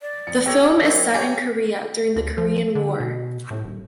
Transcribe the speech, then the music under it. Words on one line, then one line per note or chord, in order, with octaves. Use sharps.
The film is set in Korea during the Korean War.
D5
F2 C#7
G4 A4 C#5 E6 A#6 C#7
F#2 C4
G4 C#5 G#5
D2
F3
D3
B2
A2
D#1